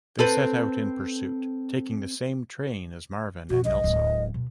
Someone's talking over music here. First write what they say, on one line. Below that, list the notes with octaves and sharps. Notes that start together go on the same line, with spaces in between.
They set out in pursuit, taking the same train as Marvin and Elsa.
C4 A4 B4
B2 F#4
B1 C3 D#5
D1 G#3
B2 G#3